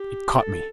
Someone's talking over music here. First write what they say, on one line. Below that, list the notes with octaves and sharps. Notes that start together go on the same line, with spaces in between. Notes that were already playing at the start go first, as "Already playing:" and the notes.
It caught me.
Already playing: G4
A4